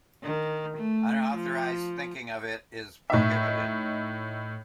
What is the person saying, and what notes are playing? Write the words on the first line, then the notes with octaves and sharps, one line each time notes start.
Unauthorized thinking of it is prohibited.
D#3
A3
F3
A2 D#4 E5